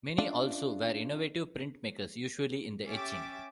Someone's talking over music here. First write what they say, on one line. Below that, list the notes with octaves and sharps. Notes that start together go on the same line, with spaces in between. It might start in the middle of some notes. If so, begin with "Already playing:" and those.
Many also were innovative printmakers, usually in etching.
C#4 D4 F4 D5 E5 F5
C#4 G4 E5 D6 A6